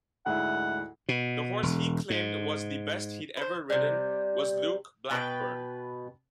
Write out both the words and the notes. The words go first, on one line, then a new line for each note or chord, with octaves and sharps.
The horse he claimed was the best he'd ever ridden was Luke Blackburn.
D2 G#2 E4 F#5
B2
E1
G#2
B4 C5
C3 G3
B2 B4 G5